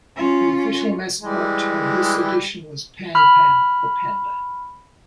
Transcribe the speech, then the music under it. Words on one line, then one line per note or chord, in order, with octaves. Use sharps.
The official mascot of this edition was PanPan, the panda.
C#4 F4
E3 G3 G#3
B5 F6